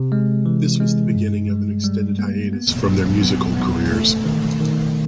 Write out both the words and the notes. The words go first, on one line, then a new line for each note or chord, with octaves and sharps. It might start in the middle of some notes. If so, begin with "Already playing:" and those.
This was the beginning of an extended hiatus from their musical careers.
Already playing: C3
G#3
E3
G#3
G2
G3
G3
A#3
B3
F#3
B3
B3
A3
D#3
D#3